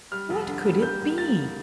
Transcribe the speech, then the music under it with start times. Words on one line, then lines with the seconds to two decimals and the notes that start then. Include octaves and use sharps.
What could it be?
0.12 G3 F6
0.30 F1
0.47 D3
0.65 G3
0.82 A#3 G6
1.01 E2
1.18 A#3 A6
1.36 G3